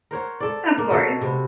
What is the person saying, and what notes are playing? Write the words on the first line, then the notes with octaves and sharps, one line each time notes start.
Of course.
A#4 C5 C#5 F#5
A4 D5
A#3
B2 F#4 A4
C3 B3